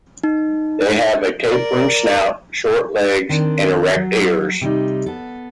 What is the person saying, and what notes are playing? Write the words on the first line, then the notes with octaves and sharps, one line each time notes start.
They have a tapering snout, short legs, and erect ears.
D#4
A#4 D5
D#3 C4 D4
F#3
C3 G3 D#4
B3 A4